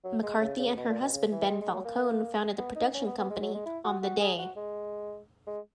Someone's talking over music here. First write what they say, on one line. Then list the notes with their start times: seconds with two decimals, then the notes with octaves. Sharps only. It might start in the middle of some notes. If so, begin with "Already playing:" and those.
McCarthy and her husband Ben Falcone founded the production company, "On the Day".
0.04 F#3
0.23 G#3
0.41 C#3
0.59 C#3
0.77 B2
0.89 A#2
1.01 B2
1.13 C#3
1.31 E3
1.49 G#3
1.61 G#3
1.74 F#3
1.85 A#3
2.58 B3
2.76 D#4
2.94 C#4
3.06 B3
3.18 B3
3.30 G#3
3.42 F#3
3.54 G#3
3.66 E4
3.84 F#4
4.03 F#4
4.20 G#4
4.38 F#4
4.56 G#3
5.47 G#3